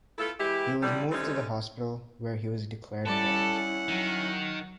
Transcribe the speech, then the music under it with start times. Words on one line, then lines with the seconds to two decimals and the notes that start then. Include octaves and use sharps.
He was moved to the hospital, where he was declared dead.
0.19 B3 E4 F4 A4
0.39 E3 G#3 E4 G4
0.82 A2 D3 E3 G3
1.11 D3 G3 A3 C4 C#4 D#4
3.06 G3 C#4 E4 A4 D5 F#5
3.89 D#3 F#3